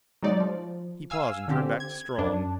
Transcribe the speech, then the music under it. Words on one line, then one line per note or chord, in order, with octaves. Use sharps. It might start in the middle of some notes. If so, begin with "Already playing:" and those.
He paused and turned back to Strong.
F#3 G#3 D#4 D5
F3
F5 G#5 E6
D3 C4 G4
G#6
F#2 D4